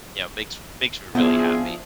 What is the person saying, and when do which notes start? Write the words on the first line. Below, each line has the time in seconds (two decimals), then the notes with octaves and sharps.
you know, makes makes me really happy.
1.15 F3 B3 C4 D4 E4 F4 G#4